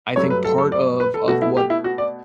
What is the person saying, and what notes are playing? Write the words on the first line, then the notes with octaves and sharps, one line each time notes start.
I think part of of what
G2 F#3 A3 C#5
B4
A4
A4
D5
B4
A4
B2 A3 F#4
E4
G4
E4
F#4
D5